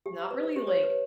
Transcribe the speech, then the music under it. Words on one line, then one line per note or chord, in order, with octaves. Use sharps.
not really, like,
G4
B4
C5
G4
C#5
B4